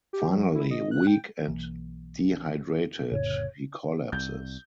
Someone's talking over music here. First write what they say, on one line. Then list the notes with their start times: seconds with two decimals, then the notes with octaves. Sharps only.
Finally, weak and dehydrated, he collapses.
0.13 G4
0.30 F#3
0.55 E4
0.71 D#5
0.91 F#6
1.07 G5
1.48 B1 E3 A#3
3.12 F1 A2 C#3 C#5
4.12 C2 G6